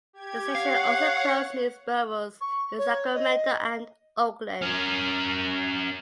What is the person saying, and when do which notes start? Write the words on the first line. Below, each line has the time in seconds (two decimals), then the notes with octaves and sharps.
The station also closed news bureaus in Sacramento and Oakland.
0.13 G4 G#6
0.55 C#5 F5 F#5
2.41 C#6
2.78 C#5
3.15 D#5
4.62 C#4 A#4